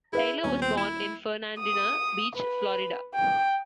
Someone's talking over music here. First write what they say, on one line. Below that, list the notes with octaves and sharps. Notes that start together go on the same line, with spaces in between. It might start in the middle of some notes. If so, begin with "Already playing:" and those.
Taylor was born in Fernandina Beach, Florida.
E4 G#4 B4 E5
D#1 B3 C#4
C4
E4 E7
D#6
B4
G5